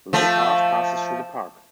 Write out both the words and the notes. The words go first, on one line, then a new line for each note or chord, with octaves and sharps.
The Long Path passes through the park.
F3 A3